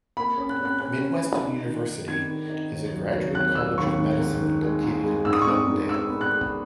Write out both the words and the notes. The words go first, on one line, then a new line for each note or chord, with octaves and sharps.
Midwestern University is a graduate college of medicine located in Glendale.
A#3 B5
C#4
F#6
C#4
F#6
C#4 F#6
C#4
E4
D#4
D#3
D#3
D#3 G#6
D#3
D#4
D#2
F#3
F#3
D#2 F#6
F#3 E6
D#2 C#6
D#3
G#2
D#3
G#3
G#2
G#3
G#2 E6
D#6
C#6
G#2 D#6
G#2
G#2 E6
B3
F#6
B3